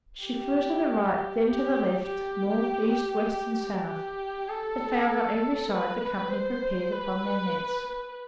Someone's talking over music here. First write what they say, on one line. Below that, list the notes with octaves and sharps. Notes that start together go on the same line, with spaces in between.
She flew to the right, then to the left, north, east, west, and south, but found on every side the company prepared upon their nets.
G4
G4
G4
G4
A4
B4
B4
C5
B4